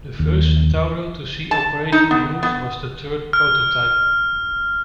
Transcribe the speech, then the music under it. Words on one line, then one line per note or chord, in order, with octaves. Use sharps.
The first Centauro to see operational use was the third prototype.
D#2
A5
D#4
B3
B3
F6